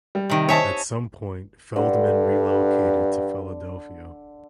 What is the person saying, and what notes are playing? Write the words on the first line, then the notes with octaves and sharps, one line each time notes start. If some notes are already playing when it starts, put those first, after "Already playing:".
At some point Feldman relocated to Philadelphia.
G3
C3 D#3
C#5 D#5 E5 G#5 A5
G2 D3